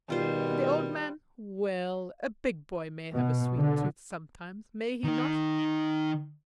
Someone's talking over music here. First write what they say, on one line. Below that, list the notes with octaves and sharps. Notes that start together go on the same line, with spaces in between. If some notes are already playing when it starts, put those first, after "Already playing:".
And the old man--well, a big boy may have a sweet tooth sometimes, may he not?
B2 D#3 G3 F4 C5
B2
D3
D#3 D#4